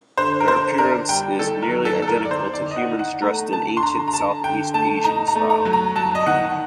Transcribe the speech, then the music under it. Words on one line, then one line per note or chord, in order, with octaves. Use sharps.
Their appearance is nearly identical to humans dressed in ancient Southeast Asian style.
D3 C5
A#4
D3 C5
D4 A#4
G3 G5
D#3 A4
A#4
F#3
A4
D#3 A4
A#4
D5
D#3 C5
D5
D#3
D#5
F#5
D#4
F#5
A3 A#5
D3 A5
C6
D3 A#5
A#5
D3 A5
D3 G5
A3 A5
D#4 A#5
A#5
A3
A#5
F#3
A#5
F#3 A5
D#5
D#3 F#5